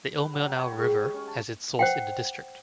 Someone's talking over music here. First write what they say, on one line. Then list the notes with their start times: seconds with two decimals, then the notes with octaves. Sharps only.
The Ilmenau river has its source in the district.
0.17 B4
0.33 F#3
0.47 G5
0.59 C#5
0.72 G#2
0.89 G4
1.02 D#5
1.14 C#4
1.27 A5
1.79 C5 F#5 G5